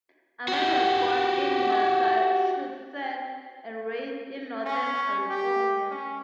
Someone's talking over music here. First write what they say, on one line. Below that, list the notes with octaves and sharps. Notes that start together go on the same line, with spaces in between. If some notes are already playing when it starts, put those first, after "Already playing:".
Amend was born in Massachusetts and raised in Northern California.
F#4 G4
C#4
G4
C#4